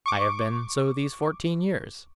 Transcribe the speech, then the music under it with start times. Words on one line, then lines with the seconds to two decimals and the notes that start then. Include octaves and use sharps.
"I have been so these fourteen years."
0.06 C#6 D6